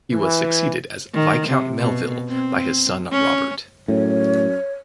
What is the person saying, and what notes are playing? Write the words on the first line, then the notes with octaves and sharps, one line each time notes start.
He was succeeded as Viscount Melville by his son Robert.
E3
D#3
C3
B2
C4
C#4
F#2 A2 C#5